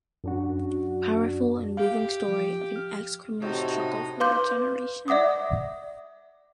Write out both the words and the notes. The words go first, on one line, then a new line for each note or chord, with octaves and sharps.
Powerful and moving Story of an Ex-Criminal's struggle for regeneration.
F#2 D4 F#4
G4 F5
F3
F6
A2 C3 D#4 F#4
B4 F5 C6 D6 G6
D5 E5 F#5 D6 D#6